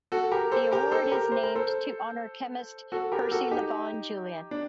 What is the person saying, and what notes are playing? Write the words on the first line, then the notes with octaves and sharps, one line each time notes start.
The award is named to honor chemist Percy Lavon Julian.
F#4 A4
G4 A#4
A4 C5
G4 A#4
A4 C5
G4 A#4
C5
A#4
A4 C5
F#4 A4
G4 A#4
A#4
F#4 A4
D#4 G4
D4